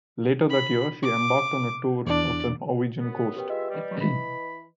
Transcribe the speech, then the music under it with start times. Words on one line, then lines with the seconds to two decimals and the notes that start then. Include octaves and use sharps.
Later that year she embarked on a tour of the Norwegian coast.
0.50 B5
1.02 D6
2.07 E2 D4 D5
3.01 F#2 B3
3.36 G4 B4 G5
3.49 G#3 F4 B4 D#5 E5
3.69 G3
4.01 E3 B5